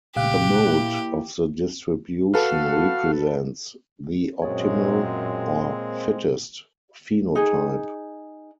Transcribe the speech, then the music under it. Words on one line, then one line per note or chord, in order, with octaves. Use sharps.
The mode of the distribution represents the optimal, or fittest, phenotype.
C2 A#2 C#3 G4 F5 F#6
A#3 E4
F#4 A4 B4 F5
F#2 A#2 G#3 A#3 C4 G#4 C#5
D#4 G#4